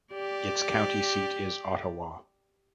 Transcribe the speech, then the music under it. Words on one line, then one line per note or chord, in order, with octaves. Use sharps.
Its county seat is Ottawa.
G4 D5